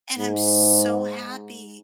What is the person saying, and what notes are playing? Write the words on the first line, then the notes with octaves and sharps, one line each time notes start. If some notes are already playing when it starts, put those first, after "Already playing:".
and I'm so happy
G#2